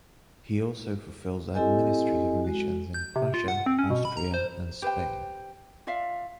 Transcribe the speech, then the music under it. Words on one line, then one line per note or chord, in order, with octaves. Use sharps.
He also fulfills administrative missions in Prussia, Austria and Spain.
C4 E4 G4 A4 D#5 G#5
G#3 F#4
G6
C3
F4
F#5
C4
C#4
B2
B5
A#5
C5
G4 B4 C5 G5
F4 D5 E5 F5